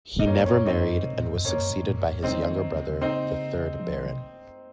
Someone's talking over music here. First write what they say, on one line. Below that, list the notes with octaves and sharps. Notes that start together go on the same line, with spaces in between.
He never married and was succeeded by his younger brother, the third Baron.
D#4
F#2 A#3 C#4
F2
A#3 C#4
F#2
F#2 C4 D#4
C3
A#2
G#2
F#2
F2 A#3 C#4
F#2
G#2
A#2
F#2
G#2
C3 C4 D#4
F3
D#3
D#3
C#3
C#3
C4 D#4
F3
D#3
C3